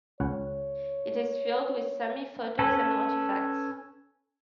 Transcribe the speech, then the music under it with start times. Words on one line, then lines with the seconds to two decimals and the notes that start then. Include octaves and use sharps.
It is filled with Sami photos and artifacts.
0.20 C#2 C#4 C#5 F#5
2.59 C#4 A4 B4